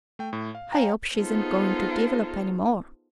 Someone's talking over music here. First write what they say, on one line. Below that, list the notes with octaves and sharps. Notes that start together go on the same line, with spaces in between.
"I hope she isn't going to develop any more!"
A3 G5
A2
F5
C#5 F5 G5 G#5 A#5
B3 D#4 F4 G#4 A4 C5